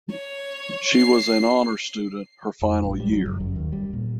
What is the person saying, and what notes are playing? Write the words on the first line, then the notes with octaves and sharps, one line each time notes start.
She was an Honor Student her final year.
C#5
C7
F2
A1
G3
F#3
F#1
F#2
D#2
G3
A#2